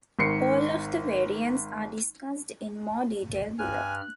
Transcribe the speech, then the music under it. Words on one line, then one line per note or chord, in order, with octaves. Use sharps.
All of the variants are discussed in more detail below.
G#1 D#3 C7 C#7
G2 G#5 F6 F#6